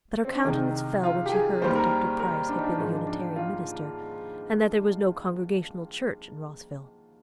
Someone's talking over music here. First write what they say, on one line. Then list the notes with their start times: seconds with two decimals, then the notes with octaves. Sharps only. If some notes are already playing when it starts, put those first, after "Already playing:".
But her countenance fell when she heard that Dr. Price had been a Unitarian minister, and that there was no Congregational church in Rosville.
0.25 C4
0.35 D4
0.44 C2 C3 D#3 G#3 D#4
1.04 F4
1.26 G4
1.32 G#4
1.62 D#2 D#3 G3 C5
1.75 A#4
2.19 A#4
2.49 D4
2.59 D#4
2.64 D4
2.78 G#2 F3 G#3 D#4
2.93 D4
3.07 D4
3.36 F4